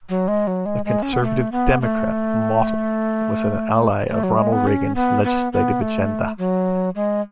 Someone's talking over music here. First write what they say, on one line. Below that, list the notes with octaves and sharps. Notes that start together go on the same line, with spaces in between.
A conservative Democrat, Mottl was an ally of Ronald Reagan's legislative agenda.
F#3
G#3
F#3
G#3
G#3
C#4
B3
A3
B3
A3
A3
F#3
G#3
B3
C#4
B3
B3
B3
A3
F#3
G#3